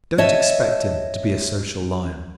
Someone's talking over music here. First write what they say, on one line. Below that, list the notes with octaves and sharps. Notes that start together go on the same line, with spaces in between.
Don't expect him to be a social lion.
C#5 D#5 E5 A5